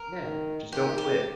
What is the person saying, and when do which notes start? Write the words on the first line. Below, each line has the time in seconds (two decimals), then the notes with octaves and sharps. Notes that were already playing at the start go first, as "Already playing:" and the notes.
Yeah. Just don't quit.
Already playing: A#4
0.22 D#3
0.72 D#3 G4
0.98 G4